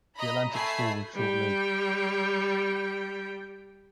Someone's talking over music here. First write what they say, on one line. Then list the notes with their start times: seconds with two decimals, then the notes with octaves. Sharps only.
The Atlantic School was short lived.
0.16 D#5 A#5 B5
0.50 A3 G#5 B5 C7
1.15 G3 G5